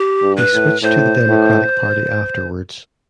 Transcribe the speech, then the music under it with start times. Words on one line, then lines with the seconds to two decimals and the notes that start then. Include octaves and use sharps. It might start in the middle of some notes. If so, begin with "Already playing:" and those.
He switched to the Democratic Party afterwards.
Already playing: G4
0.22 G2
0.37 B4
0.53 A2
0.83 A2 C5
1.29 A2